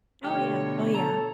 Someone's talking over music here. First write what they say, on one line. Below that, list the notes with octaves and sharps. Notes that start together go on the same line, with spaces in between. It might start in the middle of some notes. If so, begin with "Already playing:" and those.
Oh, yeah, oh, yeah.
B2 D3 F3 A3 G4 C#5 F6
A4 A#5